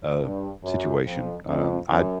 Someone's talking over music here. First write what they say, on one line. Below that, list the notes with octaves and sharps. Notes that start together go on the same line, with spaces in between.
uh, situation. Um, I
G2
F#2
F2
F2
F#2